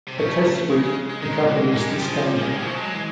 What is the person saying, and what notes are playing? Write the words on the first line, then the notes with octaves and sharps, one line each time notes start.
A test suite accompanies the standard.
C3
C#3 A3
G#3
G#3
G#3
D#3 G#3
F3
E3
D#3 G#3
E3 G3
F3
G#3
G3
D#3
G#3
E3
G#3
F3 A3
F#3 G#3
E3